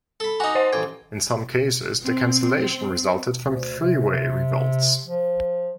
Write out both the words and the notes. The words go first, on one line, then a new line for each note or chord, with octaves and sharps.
In some cases, the cancellation resulted from freeway revolts.
A4 B5
D#4 F#4 G#5
C5 D#5 F#5
A1 G5 G#6
C4
D2
C3
F3